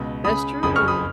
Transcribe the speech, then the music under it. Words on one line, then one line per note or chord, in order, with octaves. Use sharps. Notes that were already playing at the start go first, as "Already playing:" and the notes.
That's true.
Already playing: C#2 B2
C#2 C#3 B5 D#6
F#1 F2 C#3 B5 D#6
C#6 F6
B5 D#6